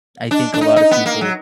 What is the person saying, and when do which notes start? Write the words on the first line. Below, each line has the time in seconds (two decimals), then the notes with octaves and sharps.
I think a lot of people
0.31 D4
0.54 D4
0.61 D#4
0.76 D#4
0.91 B3
1.06 A#3
1.21 F#3